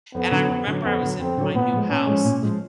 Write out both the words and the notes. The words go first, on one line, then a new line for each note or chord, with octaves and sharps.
And I remember I was in my new house
F2 B3
D3 F#3
F2
D3 F#3
F2 B3
D3 F#3
F2 C4
D3 F#3
A#2 B3
F3 G#3
A#2 C#4
F3 G#3
A#2
F3 G#3